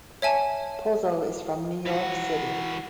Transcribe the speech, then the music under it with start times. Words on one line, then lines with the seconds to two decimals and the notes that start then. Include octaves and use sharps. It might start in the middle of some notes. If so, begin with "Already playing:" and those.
Pozo is from New York City.
0.22 C#5 E5 G#5 A5
1.86 E3 F#4